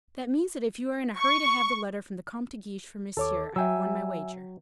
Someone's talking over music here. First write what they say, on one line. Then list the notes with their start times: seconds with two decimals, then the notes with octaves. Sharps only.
"That means that if you are in a hurry to have the letter from the Comte de Guiche for Monsieur, I have won my wager."
1.17 C#6
3.17 D#2 A4 C#5 D6
3.56 F#3 E5 G5 G#5 E6